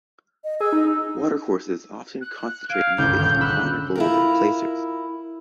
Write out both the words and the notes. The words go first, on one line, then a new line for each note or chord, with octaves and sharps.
Watercourses often concentrate nuggets and finer gold in placers.
D#5
G#4 E6
D#4
F#6
F5 G#6 D7
G1 C#2 G6
D#1 F5
B5 E6 F#6
E4 F4 A#4